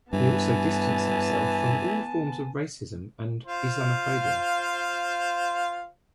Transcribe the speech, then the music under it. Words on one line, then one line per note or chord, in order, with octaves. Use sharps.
He also distanced himself from all forms of racism and Islamophobia.
G2 E3 B3 G#5 A5
F4 C5 F5